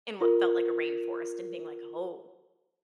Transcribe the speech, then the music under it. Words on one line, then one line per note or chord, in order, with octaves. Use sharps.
in what felt like a rainforest and being like, "Oh,
F4 A#4